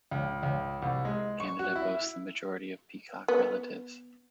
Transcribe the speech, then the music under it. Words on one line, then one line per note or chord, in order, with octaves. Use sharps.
Canada boasts the majority of Peacock relatives.
C#2
C#2
C2
G#3
C#6
F#4
E4
B3